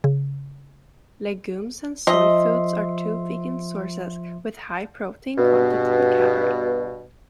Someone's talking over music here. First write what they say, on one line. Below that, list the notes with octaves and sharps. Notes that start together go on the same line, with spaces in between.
Legumes and soy foods are two vegan sources with high protein content per calorie.
C#3
F3 D#5 E5 C6
G2 B2